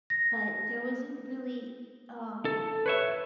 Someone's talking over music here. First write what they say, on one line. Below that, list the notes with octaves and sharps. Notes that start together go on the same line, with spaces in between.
but there wasn't really, um
A#6
A4
B4 C#5 E5